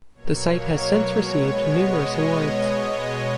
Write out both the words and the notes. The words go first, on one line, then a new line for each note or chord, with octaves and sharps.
The site has since received numerous awards.
B2 F#3 A#3 C#5
B2 G#3 B3 C#5
D#5